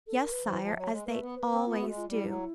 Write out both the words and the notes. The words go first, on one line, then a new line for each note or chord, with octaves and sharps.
"Yes, sire, as they always do."
A4
A#4
B4
E3 C5
F3
F#3 C#5 E5
G#3
A3 B4
B3
C5
B4
C4
B3 F4
A3 F#4
G#3
F4
G3 E4
F3
F#3